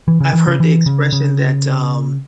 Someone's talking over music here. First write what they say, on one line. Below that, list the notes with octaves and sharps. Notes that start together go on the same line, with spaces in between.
I've heard the expression that, um
E3
C#3
E3
C#3
E3
C#3
C#3